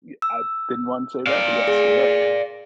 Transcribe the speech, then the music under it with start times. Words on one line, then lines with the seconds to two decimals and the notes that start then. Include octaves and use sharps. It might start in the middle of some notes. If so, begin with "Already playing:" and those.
y I didn't want to say that, but yes, you're right.
0.22 E6
1.27 D5 F5
1.68 G#4